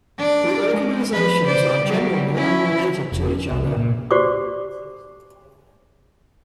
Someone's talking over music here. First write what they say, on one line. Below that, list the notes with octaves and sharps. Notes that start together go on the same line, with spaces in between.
The organisations are generally unrelated to each other.
D4 D5
G#3
F3 B4
C5 D5
F#3 G3
C#4 E4
F1
C#4
C2
C#3
A#2
F#4 G4 C5 D5 C#6 D6